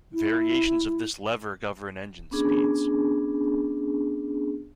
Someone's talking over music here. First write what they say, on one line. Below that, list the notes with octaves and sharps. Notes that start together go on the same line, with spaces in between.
Variations of this lever govern engine speeds.
E4
B3 C#4 D4 G#4